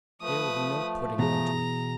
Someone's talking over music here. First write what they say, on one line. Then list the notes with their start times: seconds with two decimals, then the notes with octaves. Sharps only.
There will be no putting an end to it.
0.21 F3 A3 B4 D#6
1.19 B2 E3 G#4 A#5